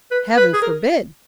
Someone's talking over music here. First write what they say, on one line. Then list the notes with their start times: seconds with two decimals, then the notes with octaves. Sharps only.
Heaven forbid!
0.11 B4
0.37 B4
0.53 G#4
0.62 A#4